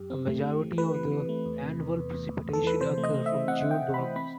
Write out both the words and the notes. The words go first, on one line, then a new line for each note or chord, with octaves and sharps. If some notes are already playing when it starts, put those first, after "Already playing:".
A majority of the annual precipitation occurs from June to August.
Already playing: F#2 G4
C4
A3
A3
E3
A3 B4
E3
E3
A3
E2
C3
E2
E2
E2
E2
E2
A4
E3 B4
C3 C5
A3
D#5
A3
E5
E3
C4 F#5
C4
G5
C3
E3 B5
C4 B5